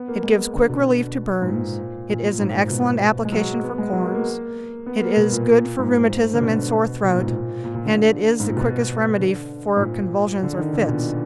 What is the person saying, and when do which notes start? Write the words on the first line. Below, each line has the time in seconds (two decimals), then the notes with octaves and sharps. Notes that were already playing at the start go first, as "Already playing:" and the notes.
It gives quick relief to burns, it is an excellent application for corns, it is good for rheumatism and sore throat, and it is the quickest remedy for convulsions or fits.
Already playing: B3
0.08 A#3
0.23 G#3
0.55 D3
0.69 B2
1.42 G#2
1.46 A#2
2.09 A#2
2.24 A#2
2.40 G#2
2.55 A#2
2.70 B2
3.25 G#3
3.32 F#3
3.64 B3
3.78 G#3
3.93 F#3
4.04 A#3
4.15 A#3
4.86 B3
5.02 A#3
5.17 B2
5.32 A#2
5.79 G#2
6.33 D3
6.41 B2
7.03 B2
7.10 A#2
7.19 G#2
7.26 A#2
7.64 A#2
7.75 A#2
7.85 D3
8.40 G#2
8.49 A#2
8.57 B2
9.19 D3
9.77 G#2
9.81 A#2
10.43 D3
10.57 D#3
10.73 D3
10.81 A#2
10.89 B2